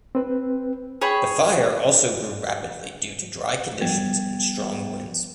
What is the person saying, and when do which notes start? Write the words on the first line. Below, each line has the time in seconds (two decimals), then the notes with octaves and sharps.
The fire also grew rapidly due to dry conditions and strong winds.
0.15 C4 B4
1.01 G#4 C#5 G5 B5
3.81 F3 G3 B3 G5 G#6 A6